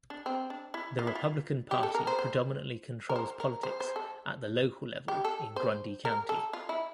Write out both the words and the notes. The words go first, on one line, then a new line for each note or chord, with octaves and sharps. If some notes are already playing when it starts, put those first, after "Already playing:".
The Republican Party predominantly controls politics at the local level in Grundy County.
D4
C4
D4
E4
F4
E4
F4
G4
A4
A#4
C5
C5
A#4
C5
A#4
C5
C5
A4
G4
A4
C5
A#4
A4
F4
E4